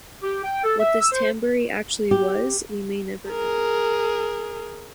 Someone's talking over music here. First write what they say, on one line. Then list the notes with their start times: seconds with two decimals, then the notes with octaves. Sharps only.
What this tambouri actually was we may never know.
0.23 G4
0.44 G5
0.64 A4
0.79 E5
1.01 E6
1.12 C5
2.11 G4
3.30 G#4 A#4